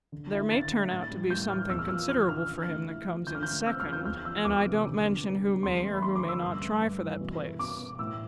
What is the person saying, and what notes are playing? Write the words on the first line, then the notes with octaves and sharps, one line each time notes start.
There may turn out to be something considerable for him that comes in second, and I don't mention who may or who may not try for that place.
D3
E4
D3 A6
A3
A2 A6
G3
A2 G6
E3 F6
E2 E6
F6
F3 E6
E2 F6
D3 F6
D3
A3
E4
F3
D3 G6
F6
A3 G6
C4 E6
F6
F3
G6
E2 F6
F3 E6
E2 D6
C3
D3
B3
D4
G3
E2 C6
A3
B5
D4 C6
D6
D3
E6
G2 E6
A3
G2
E3
B2
E4
B2 D6
B3
A2 E6